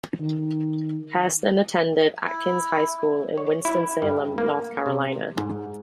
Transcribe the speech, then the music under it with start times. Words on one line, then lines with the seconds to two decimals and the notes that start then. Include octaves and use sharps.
Hairston attended Atkins High School in Winston-Salem, North Carolina.
0.20 D#3
2.27 E4
3.38 C#5
3.65 E4
4.02 G2
4.38 A#3
4.86 C3
5.37 G#2